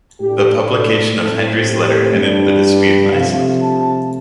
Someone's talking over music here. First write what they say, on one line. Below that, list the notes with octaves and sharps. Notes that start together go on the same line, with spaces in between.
The publication of Hendry's letter ended the dispute in Iceland.
A2 A3 D4 G4
A4
A2 A3 C4 A4
G4
G2 G3 D4
C3 F3 A3 F5
A5